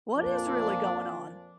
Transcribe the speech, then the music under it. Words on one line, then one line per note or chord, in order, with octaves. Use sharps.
What is really going on?
F2 A#2 F3 D4